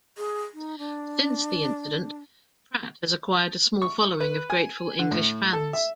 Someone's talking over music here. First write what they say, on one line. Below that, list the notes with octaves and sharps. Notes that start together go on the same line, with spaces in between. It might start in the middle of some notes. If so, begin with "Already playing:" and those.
Since the incident, Pratt has acquired a small following of grateful English fans.
G#4
D#4
D4
C#6
B4
G#5
D3
A2
A4
E5